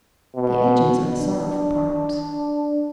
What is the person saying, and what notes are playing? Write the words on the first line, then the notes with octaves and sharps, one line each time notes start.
'The edges are the sorrowful parts.'
B2
D4